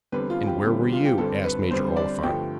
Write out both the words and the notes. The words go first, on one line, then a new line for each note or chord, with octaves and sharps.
"And where were you?" asked Major Oliphant.
E2 D3 G3 C4 B4
F4
G4
E2 D3 G3 C4
F4
G4
G2 D3 G3 C4 A4
B4
G2 D3 G3 C4 C5
D5
G2 D3 F3 A3 G5